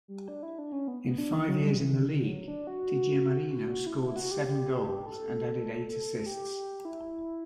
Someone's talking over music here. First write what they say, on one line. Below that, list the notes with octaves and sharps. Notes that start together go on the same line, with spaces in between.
In five years in the league, DiGiamarino scored seven goals and added eight assists.
G3
D4
E4
D4
C#4
B3
B3
D4
E3
F#3
G3
E3
D3
D3
F#3
D4
F#4
E4
E4
F#4
G4
A4
G4
E4